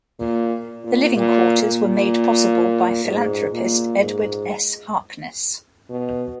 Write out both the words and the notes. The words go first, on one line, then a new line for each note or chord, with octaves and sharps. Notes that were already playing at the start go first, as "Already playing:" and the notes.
The living quarters were made possible by philanthropist Edward S. Harkness.
A#2
A#2
A#2
A#2
G#2
A#2
G#2
B2